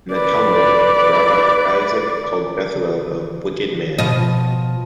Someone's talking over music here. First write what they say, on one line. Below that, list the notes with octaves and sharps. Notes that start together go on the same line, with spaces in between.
In the Talmud, Rabbi Isaac called Bethuel a wicked man.
B4 D5
B2 F3 D#5